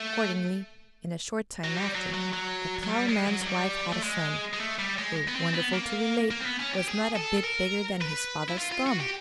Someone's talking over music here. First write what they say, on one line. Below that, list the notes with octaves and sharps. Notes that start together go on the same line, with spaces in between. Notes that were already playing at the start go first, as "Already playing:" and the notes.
Accordingly, in a short time after, the plowman's wife had a son, who, wonderful to relate, was not a bit bigger than his father's thumb!
Already playing: A3
F#3
G3
F#3
F#3
F#3
F#3
G3
G#3
F#3
F#3
G3
A3
G#3
G#3
A3
G3
G#3
B3
C4
B3
A#3
A#3
C4
B3
C#4
G4
G#4
A4
A4
A#4
B4
E4
F4
F4
F#4
G4